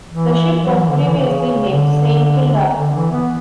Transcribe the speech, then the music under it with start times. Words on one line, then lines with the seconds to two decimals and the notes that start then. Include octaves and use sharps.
The ship was previously named "Saint Kilda".
0.09 E3
0.63 F#3
0.76 E3
0.89 D3
1.03 E3
1.17 C#3
1.69 D3
2.76 D3
2.95 E3
3.12 B3